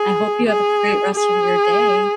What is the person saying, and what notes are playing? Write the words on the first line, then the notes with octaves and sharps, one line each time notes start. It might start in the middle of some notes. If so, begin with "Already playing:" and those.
I hope you have a great rest of your day.
Already playing: G#4
G#4
G#4